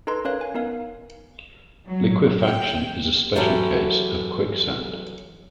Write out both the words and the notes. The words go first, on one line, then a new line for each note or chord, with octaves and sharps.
Liquefaction is a special case of quicksand.
D#4 A4 B4 A#5 C6
C#4 A#4 B4 C#5 F5 F#6
G#5
B3 D#4 A#4 F5
F#3
G5
E3 F#3 C#4 G4 A4 E5